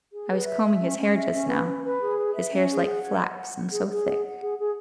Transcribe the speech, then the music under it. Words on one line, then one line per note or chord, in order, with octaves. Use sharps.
"I was combing his hair just now; his hair's like flax, and so thick...."
G#4
B4
E5
E5
C#4
C#4
E5
C#4
B4
C#4
B4
G#4
B4
E5
C#4
G#4
F#5
C#5
F#5
F#5
F#5
G#4
G#4
F#5
F#5
G#4
G#4